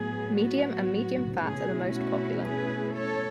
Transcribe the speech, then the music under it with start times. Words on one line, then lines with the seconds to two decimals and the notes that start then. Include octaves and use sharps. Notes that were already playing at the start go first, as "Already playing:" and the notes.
Medium and medium-fat are the most popular.
Already playing: A2 F#3 B3 G#4
0.39 F#4
1.42 B2 A3 C#4 E4 G#4
1.93 F#4
2.43 G#4 B4
2.95 A4 C#5